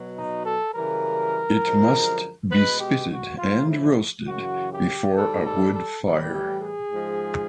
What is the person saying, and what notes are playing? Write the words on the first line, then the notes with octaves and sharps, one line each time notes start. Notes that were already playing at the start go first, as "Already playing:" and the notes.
It must be spitted and roasted before a wood fire.
Already playing: B2 F#3
D#4
A4
F#2 C#3 E3 G3 A#4
F#2 D3 F3 G#3
B2 G#3 B4
G4
F#4
A2 F3 G#3 F4
E4
F#2 C#3 E3 F#4
G4
G#2 D#3 G3 A4
A4
A4
A2 E3 G3
G4
G#4
G#2 F3 G#3